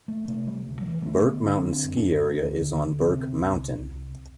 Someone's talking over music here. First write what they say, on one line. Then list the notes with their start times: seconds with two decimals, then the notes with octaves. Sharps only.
Burke Mountain Ski Area is on Burke Mountain.
0.08 A3
0.28 C3 A3
0.47 G3
0.67 D2
0.81 F#3
0.87 E3
1.02 G3
1.06 D3 A3
1.26 B3
1.45 D3 D4
1.71 C4
1.84 F#2
1.97 D4
2.23 D2
2.62 D3
3.00 C3 C4
3.41 C2
3.79 C2